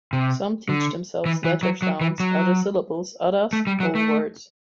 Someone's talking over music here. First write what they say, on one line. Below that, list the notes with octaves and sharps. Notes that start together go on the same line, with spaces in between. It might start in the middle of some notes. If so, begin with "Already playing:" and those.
Some teach themselves letter sounds, others syllables, others whole words.
C3
D3
E3
E3
F#3
F#3
E3
F#3
A3
G3
F#3
A3